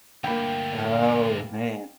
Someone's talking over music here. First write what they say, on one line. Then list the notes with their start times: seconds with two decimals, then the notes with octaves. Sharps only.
Oh, man.
0.24 D2 G2 A#3 G5 B5 G6